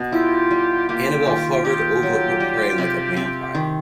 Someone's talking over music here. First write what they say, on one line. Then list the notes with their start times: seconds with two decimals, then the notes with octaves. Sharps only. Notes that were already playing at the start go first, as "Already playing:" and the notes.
Annabel hovered over her prey like a vampire.
Already playing: B2
0.12 E4 F4 G4
0.51 G3
0.88 A#3 F4 G4
1.26 D#3 F4 G4
1.64 D#4 F4 G4
2.03 F#3
2.40 G3
2.78 C3
3.17 C4
3.55 D#3